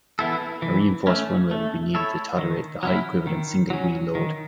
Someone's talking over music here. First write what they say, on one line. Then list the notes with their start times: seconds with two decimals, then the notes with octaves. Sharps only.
A reinforced runway will be needed to tolerate the high equivalent single wheel load.
0.19 E3 B3 E4 A4
0.62 E3
1.07 A3 C#4
1.51 A3
1.95 E4 A4 C#5
2.38 D#3
2.83 F#3 C#4 E4
3.27 D#3
3.70 F#3 C#4
4.15 D#3